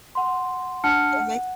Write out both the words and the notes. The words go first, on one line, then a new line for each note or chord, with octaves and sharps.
That makes
F#5 C6
D4 F#5 A5 F6 C#7
F#5